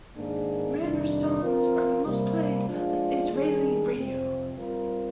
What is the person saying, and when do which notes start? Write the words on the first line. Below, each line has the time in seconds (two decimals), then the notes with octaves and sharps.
Manor's songs are the most played on Israeli radio.
0.15 G#2 D#3 A#3 D4 G#4
0.78 F2 C3 D#3 G3 D4
1.42 F3 C4 F4 A#4
2.05 C3 G3 A#3
2.69 F3 G#3 D4 F4
3.31 D#3 G3 D4 G#4
3.94 F2 C3 F3 C4
4.57 G3 C4 F4 A#4